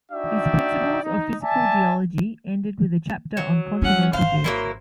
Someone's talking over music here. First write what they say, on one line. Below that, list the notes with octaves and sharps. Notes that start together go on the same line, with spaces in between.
His "Principles of Physical Geology" ended with a chapter on continental drift.
D4 D#4 F#4 D5 E5 G5
D#4
D5 E5 G#5 A5
F#3
E3 G3 C#4 F#5
G#1 C5 F5
F#3 A#3 E4